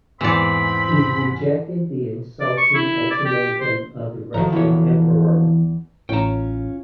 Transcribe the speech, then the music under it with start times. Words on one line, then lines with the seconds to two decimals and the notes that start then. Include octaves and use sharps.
He rejected the insulting ultimatum of the Russian emperor.
0.21 E2 G#2 E3 C4 D5 B5
2.41 D5
2.57 C#6
2.74 E4
3.11 D5
3.25 G4
3.61 C5
4.34 G#1 D#3 F3 F#3 A4 A#5
4.53 E2 E3 C#5
6.09 A1 C#4 F4 C#5 G5 A#5